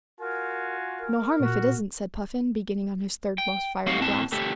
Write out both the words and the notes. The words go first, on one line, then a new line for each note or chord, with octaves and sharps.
"No harm if it isn't," said Puffin, beginning on his third most fiery glass.
F4 F#4 A#4 G#5
A#4
A#2 F#4
G5
A3 C4 D#4 F#4 G4 F5
A2 C4 A5
D3 A3 G4 A4